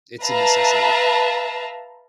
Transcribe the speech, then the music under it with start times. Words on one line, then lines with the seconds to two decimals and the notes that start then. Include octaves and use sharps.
it's a necessity.
0.23 B4 E5 F5 A5 A#5